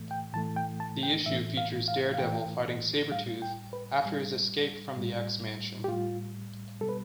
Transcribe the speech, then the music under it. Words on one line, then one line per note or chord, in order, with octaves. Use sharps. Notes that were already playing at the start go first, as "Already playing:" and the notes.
The issue features Daredevil fighting Sabretooth after his escape from the X-Mansion.
Already playing: A2 E3 A3
G5
A2 E3 A3 A5
G5
A5
G5
A2 E3 A3 E5
F5
F5
F5
A2 E3 A3 G5
A2 G3 F5
G5
B4
A2 G3
A2 G3
G4
A2 G3 F4
B2 G3 A4
B4